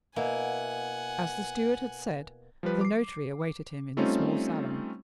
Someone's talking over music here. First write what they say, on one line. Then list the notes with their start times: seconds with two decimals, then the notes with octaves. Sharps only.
As the steward had said, the notary awaited him in the small salon.
0.16 B2 A#3 E4 F#5 G#5
2.63 F3 G3 B4
2.81 D6 C7
3.97 G3 A3 C4 C#4 D#4 F4